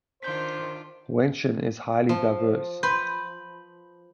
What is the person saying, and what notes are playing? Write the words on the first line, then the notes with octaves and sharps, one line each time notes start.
Wenshan is highly diverse.
D#3 D4 F4 C5 C6 G6 B6
F3
B4 B5 C6 G6